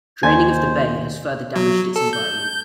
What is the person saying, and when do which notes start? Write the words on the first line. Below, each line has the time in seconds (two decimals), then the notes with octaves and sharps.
Draining of the bay has further damaged its environment.
0.23 D#2 C5 G#5
1.56 F#3
1.96 A4
2.13 G6